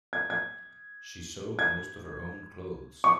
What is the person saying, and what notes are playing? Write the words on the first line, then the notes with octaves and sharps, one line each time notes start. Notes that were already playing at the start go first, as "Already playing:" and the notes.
She sewed most of her own clothes.
G#6
G#6
G#6
C#6